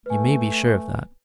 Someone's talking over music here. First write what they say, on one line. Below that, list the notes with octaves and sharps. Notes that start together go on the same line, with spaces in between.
You may be sure of that.
A3 B4 G#5